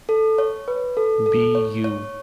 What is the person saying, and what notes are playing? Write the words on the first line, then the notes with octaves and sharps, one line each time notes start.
Be You.
A4
C#5
B4
A4
A4
C#5
C#5